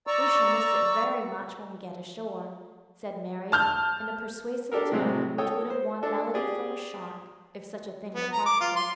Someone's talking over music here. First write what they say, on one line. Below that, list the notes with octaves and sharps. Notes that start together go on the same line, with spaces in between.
We shall miss it very much when we get ashore,' said Mary, in a persuasive tone which would have won melody from a shark, if such a thing were possible.
D5 A#5 C#6 E6
A5 F6 G6
D4 G4 A4 A#4
A2 C3 F#3 G#3 C4
A4 C#5 G5 D#6
C5
D4 A4 A5
G4 G#4 D5
B3
A#5
D6
F4
C6